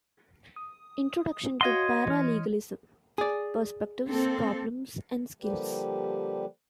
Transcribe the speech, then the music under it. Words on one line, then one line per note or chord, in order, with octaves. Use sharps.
Introduction to paralegalism: persepectives, problems, and skills.
D#6
F#4 C#5 D#5 F5 F#5 C6
E3 F6
G#4 D5
A#3 C4 A4
D3 F3 G3 A#3 G4 B4